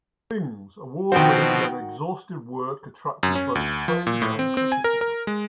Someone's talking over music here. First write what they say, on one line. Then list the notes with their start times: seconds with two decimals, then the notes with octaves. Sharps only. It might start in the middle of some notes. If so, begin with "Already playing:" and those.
King's award-winning and exhaustive work attracted both praise and criticism.
1.12 B2 D#3 F3 C4 F#4 C5 G5
3.23 F#2
3.35 C#4
3.55 D2
3.88 F3
4.07 A#2
4.22 A2
4.39 C4
4.57 C4
4.72 G#5
4.84 A#4
5.01 A#4
5.27 G#3